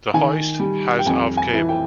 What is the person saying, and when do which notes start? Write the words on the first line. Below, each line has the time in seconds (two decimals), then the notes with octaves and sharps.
The hoist has of cable.
0.14 D#3 G#5
0.60 G3
0.99 G5
1.06 F2 G#5
1.37 G#5
1.53 E3
1.69 G5